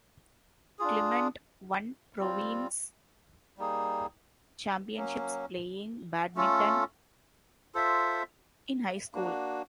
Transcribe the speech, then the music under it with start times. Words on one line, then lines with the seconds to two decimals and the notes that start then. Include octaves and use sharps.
Clement won province championships playing badminton in high school.
0.79 D4 F4 G#4
2.19 G3 C4 F4
3.58 G3 A#3 D#4 G#4
4.97 F#3 A#3 C#4
6.35 A3 C#4 F4 A4
7.75 F4 A4 C5 E5
9.14 A#3 D4 F#4